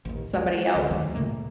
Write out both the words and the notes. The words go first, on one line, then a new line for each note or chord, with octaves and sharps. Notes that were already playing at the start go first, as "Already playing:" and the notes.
somebody else
A1 D#2
G#3
D2
D2 D#3 F#3 A3
A#2 C#3 A3 A#3